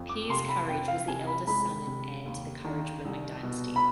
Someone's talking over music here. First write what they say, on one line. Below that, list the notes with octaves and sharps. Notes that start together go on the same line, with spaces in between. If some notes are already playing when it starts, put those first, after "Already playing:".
Piers Courage was the eldest son and heir to the Courage brewing dynasty.
Already playing: F2
D6
C3 C6
B5
F2 G5
F5
C3 G#5
B5
G#3 B5
C3
D#2
D#3
C2
B2
B5